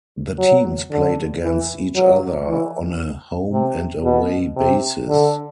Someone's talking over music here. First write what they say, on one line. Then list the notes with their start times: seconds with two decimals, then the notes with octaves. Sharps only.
The teams played against each other on a home-and-away basis.
0.39 F#3
0.91 D3
1.44 E3
1.96 F#3
2.47 E3
3.52 C3
4.04 B2
4.56 C3
5.09 D3